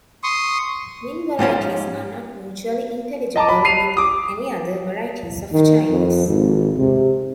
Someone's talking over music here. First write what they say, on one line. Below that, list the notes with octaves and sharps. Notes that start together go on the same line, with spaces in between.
Min varieties are not mutually intelligible with any other varieties of Chinese.
C6 C#6 D#6
G#2 F3 C#4 F4
D#5 A5 A#5 D6
B5
C7 D#7 F7
D6 D#6
D#3
F2
G#1
C3